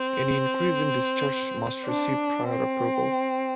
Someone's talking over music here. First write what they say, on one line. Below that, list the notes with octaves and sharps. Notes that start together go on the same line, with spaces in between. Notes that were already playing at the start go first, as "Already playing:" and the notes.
Any increase in discharge must receive prior approval.
Already playing: C4
D4
C4